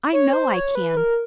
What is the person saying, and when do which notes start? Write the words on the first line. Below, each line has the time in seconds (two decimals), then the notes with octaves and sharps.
I know I can.
0.13 C#5
0.33 C5
0.54 C#5
0.75 B4
0.97 A#4